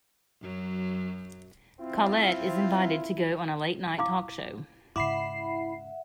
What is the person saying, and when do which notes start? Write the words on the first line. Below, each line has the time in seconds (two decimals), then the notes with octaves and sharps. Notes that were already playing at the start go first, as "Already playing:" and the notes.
Coilette is invited to go on a late night talk show.
0.42 F#2 F#3
1.80 C4 E4 F4
3.98 E4 F5 D6
4.96 G#2 C#3 E4 E5 F#5 B5 D6 C7